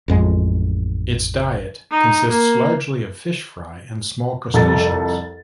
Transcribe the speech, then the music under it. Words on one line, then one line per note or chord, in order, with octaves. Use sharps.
Its diet consists largely of fish fry and small crustaceans.
A1 F2 G#3
D#4
A#3
C2 F2 A4 A6